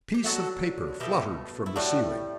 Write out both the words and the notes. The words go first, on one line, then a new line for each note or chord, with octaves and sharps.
A piece of paper fluttered from the ceiling.
G4
D3 F#3 A3 F#4 A4
B2 A3 E4 G4
E4
A2 G3 D4 F#4